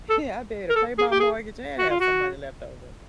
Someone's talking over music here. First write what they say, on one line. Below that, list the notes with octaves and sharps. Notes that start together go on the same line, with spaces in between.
Yeah, I'd be able to pay my mortgage and have some money left over.
A4
A#4
A4
G#4
G4
G#4
F#4
F4
F#4